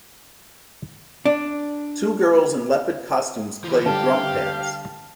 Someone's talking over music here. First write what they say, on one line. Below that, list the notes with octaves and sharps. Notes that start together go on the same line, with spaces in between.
Two girls in leopard costumes play drum pads.
D4
E3 F3
D3 G3 G4 F5 A5